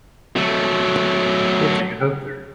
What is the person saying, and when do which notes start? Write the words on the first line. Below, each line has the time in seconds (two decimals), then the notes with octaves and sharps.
What do you have there?
0.36 F#3 A3